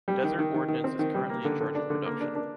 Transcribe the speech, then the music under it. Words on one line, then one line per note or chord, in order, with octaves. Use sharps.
Desert Ordnance is currently in charge of production.
G3
D#3
D#3
D#3
D#3
C4
D#3
G3
A#3
D3
D3
D4
D3
A#3
D4
D4